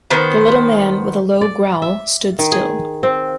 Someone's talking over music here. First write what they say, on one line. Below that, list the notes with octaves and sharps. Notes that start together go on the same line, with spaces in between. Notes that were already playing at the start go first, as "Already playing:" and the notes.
The little man, with a low growl, stood still.
D#3 B3 C5
D5
E5
D#3
G#4
C4